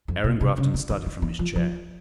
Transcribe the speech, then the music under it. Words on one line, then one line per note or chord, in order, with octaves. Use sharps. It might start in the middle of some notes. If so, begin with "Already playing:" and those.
Aaron Grafton started from his chair.
F2
B2
C3
C#3
D3
D#3
D#3
E3
F3
F3